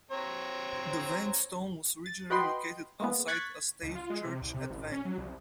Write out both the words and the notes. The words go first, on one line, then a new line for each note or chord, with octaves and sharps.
The Vang stone was originally located outside a stave church at Vang.
C4 C#5 A#5
A6
F#4 B4 D#5 G5 B5 C6
G#3 A#3 B3
C#6 F#6 G#6 A6 B6
C#2
F4
G#3
C3
C2
C3
A1
C#4
F#3
C2